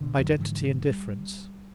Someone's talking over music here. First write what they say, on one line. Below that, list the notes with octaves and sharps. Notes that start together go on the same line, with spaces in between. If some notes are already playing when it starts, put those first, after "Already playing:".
Identity and Difference.
A#1 B2 D3
D2 G2 D#3 F#3
G#2 D3 E3 F3
G3